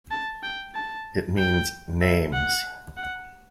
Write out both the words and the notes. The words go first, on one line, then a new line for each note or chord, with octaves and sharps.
It means "Names".
A5
G5
A5
G5
E5
F#5
F#5